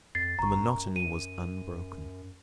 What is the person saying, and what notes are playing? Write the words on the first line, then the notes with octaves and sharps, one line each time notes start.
The monotony was unbroken.
F2 A6 C7
G1 A#5 C#6
F#2
D#7